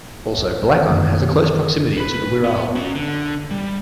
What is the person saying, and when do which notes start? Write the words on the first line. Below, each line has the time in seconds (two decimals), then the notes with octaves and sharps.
Also Blacon has a close proximity to the Wirral.
0.90 F#2 D#3 A3
1.97 B4 B5
2.44 B3
2.76 C#4 F#4
2.95 D3
3.51 G3